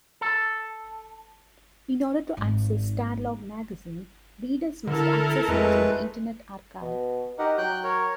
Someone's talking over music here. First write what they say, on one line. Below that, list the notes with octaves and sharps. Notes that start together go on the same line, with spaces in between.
In order to access Starlog magazine, readers must access it through the Internet Archive.
A4
G#1 D#4
D3 E4 A4 A#4
F2 G#3 A3 B4
B2
D#4 G4 A#4 F#5
F#3 G5 F#6 G6
A#4 C#5